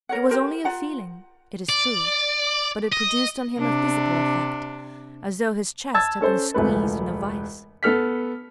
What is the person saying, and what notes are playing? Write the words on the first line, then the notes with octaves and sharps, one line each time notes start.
It was only a feeling, it is true, but it produced on him a physical effect, as though his chest had been squeezed in a vice.
A#4 C#5 F#5
G4 A#4 C5
F4 F#5 A#5
D5
D#5
C3 D4
A5 E6 G#6 A6
C#4 A4 C5
E1 C#2 A3 B4
B3 A4 F6 B6